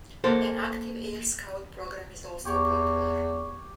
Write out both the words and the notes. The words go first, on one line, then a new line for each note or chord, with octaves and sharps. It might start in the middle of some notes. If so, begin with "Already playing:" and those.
An active Air Scout program is also popular.
A#3 A4 C5
E2 G4 C#5 D6